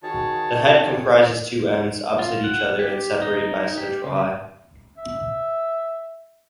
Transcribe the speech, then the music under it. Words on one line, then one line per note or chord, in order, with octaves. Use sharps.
The head comprises two ends, opposite each other and separated by a central eye.
D#3 F#4 G#4 C#5 A5
F4
F#5
G4
D#4
G4
C#3
E5